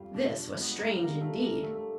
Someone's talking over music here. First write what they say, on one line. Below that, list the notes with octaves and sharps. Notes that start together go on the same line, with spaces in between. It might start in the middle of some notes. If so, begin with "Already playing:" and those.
This was strange indeed!
Already playing: F2 G3 F4
B2 D4
G#3 B3
A#3
G3 A#3
A3
G3 A#3
A3
A3